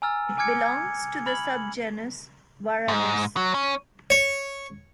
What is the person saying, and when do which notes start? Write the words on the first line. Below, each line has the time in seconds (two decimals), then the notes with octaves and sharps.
It belongs to the subgenus "Varanus".
0.02 G#5 A#5 E6 F6 A6
0.38 G#5 D6 F6 G#6 C#7
0.66 G#6
1.26 B5 F6 G#6 F#7
2.88 G#2
3.37 F#3
3.54 C#4
4.10 C#5